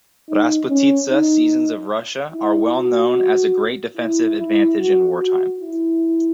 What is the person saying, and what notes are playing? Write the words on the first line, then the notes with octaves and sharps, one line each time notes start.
"Rasputitsa" seasons of Russia are well known as a great defensive advantage in wartime.
D#4
C#4
D#4
E4
F#4
E4
E4
F#4
F#4
E4